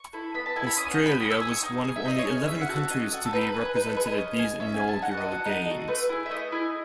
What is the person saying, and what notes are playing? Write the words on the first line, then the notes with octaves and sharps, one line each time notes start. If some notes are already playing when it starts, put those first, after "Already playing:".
Australia was one of only eleven countries to be represented at these inaugural Games.
Already playing: C#6
E4 A4
B3 B5
A5
E4 A4 G#5
B5
C#4 D#6
G#5
F#5
G#4
B5
C#4 D#6
E6
G#4 D#6
C#6
D#4
G#4
E5
D#4 D#5
C#5
G#4
C#4 E5
F#5
F#4 A4
F#5
C#4 D#5
F#4 A4
A4
D#4 B4
B4
G#4
B4
D#4 B4
A4
G#4 B4
D#5
C#4
G#4
C#4 E5
G#5
G#4
A5
D#4 F#5
D#5
F#4 A4
F#5
D#4 D#5
F#4 A4
A3 B4
E4 G#4
E5
A3 D#5
E4 G#4